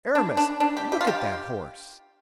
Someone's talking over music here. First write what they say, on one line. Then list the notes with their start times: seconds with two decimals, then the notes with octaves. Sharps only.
"Aramis, look at that horse!"
0.15 D4
0.37 D4
0.60 D4
0.77 G4
0.92 G4
1.01 F4
1.07 G4